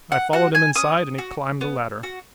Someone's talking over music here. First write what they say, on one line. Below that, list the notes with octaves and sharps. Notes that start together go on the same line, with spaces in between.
I followed him inside and he climbed the ladder.
F#5
F#4 F#5
G#5
C#4 D#6
F#4
B3
F#4